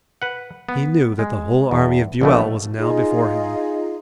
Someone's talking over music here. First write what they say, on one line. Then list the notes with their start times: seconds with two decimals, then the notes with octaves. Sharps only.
He knew that the whole army of Buell was now before him.
0.22 B4 F#5
0.69 B3
1.19 G#3
1.71 E2
2.21 A#1 B2 A3
2.78 D#4 F4 G#4 D#5